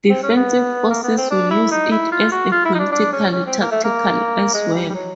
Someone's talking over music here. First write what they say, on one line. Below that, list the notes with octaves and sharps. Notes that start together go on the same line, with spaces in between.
Defensive forces will use it as a political tactic as well.
C4
C#4
B3
A#3
B3
C4
D4
E4
D#4
E4
F4
F#4
F4
E4
D#4
D4
D4
C#4
C#4
C4
A#3
A3
A#3
G#3
G3
G3
F#3